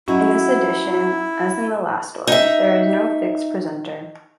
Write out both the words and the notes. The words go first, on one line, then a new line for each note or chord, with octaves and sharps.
In this edition, as in the last one, there is no fix presenter.
F#3 C#4 D#4 E4 F#4
D#4 E5